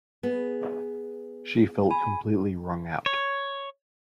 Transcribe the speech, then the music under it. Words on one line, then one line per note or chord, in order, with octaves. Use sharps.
She felt completely wrung out.
B3 G#4
G#5 B5
C#5